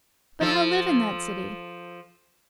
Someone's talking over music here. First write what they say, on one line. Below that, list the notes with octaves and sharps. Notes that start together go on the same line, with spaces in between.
But how live in that city?
F3 A4